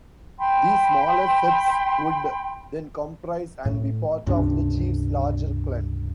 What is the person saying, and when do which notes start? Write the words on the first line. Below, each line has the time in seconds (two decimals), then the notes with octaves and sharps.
These smaller septs would then comprise, and be part of, the chief's larger clan.
0.38 G5 B5 C6
3.65 A2
4.27 C#2 G2 C3 D4